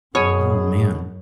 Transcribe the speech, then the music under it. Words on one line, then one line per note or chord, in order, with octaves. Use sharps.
Oh man.
F#2 B2 G#4 C#5 G#5